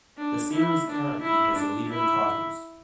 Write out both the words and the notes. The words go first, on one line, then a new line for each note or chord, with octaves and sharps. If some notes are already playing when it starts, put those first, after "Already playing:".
The series currently has eleven titles.
D4
E4
D4
E4
D4
E4